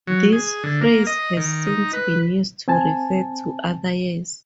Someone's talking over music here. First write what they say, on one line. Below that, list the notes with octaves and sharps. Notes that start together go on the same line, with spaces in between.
This phrase has since been used to refer to other years.
F#3
G#4
D3
A#3
D#5
D#3
D#4
B4
C4 G#5 A5